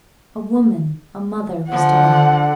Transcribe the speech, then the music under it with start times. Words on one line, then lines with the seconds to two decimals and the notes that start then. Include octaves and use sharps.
A woman, a mother, was dying.
1.70 D3 F3 F#5